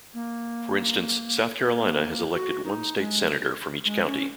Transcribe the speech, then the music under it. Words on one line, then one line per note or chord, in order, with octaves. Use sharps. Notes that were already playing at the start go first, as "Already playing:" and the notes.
For instance, South Carolina had elected one state senator from each county.
A#3
A#3
F#4
D#4
G#3
G#3
C#4